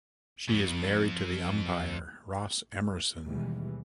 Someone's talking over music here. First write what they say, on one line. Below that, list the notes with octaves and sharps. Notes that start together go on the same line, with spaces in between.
She is married to the umpire Ross Emerson.
F2 G#2
D#2 B2 E3 G3 G#3